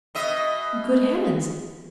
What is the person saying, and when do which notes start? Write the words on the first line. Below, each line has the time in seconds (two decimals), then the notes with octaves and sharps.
Good heavens!
0.15 B2 D#5 E5